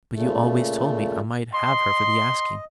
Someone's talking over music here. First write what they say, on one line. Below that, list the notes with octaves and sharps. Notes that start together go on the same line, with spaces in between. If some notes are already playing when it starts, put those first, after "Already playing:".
"But you always told me I might have her for the asking."
A#2 C#3 A3
D#5 C6